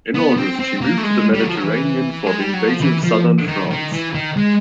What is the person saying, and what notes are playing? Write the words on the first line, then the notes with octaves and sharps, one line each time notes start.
In August, she moved to the Mediterranean for the invasion of Southern France.
B3
C4
C4
A#3
A3
G#3
G3
F#3
F3
F#3
E3
G#3
G3
F#3
F3
E3
F3
D#3
D#3
E3
D#3
G#3